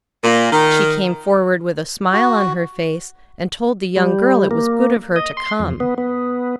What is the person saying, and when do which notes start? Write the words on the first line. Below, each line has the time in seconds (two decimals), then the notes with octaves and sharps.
She came forward with a smile on her face, and told the young girl it was good of her to come.
0.24 A#2
0.52 D#3
2.13 F#4
3.97 G3
4.51 A#3
5.16 D#5
5.37 C6
5.59 F2
5.80 B3
5.98 B3